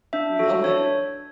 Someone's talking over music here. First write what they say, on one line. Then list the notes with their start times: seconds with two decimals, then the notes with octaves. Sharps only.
Mm, okay.
0.13 D4 E5
0.39 F#4 A4
0.64 D4 C#5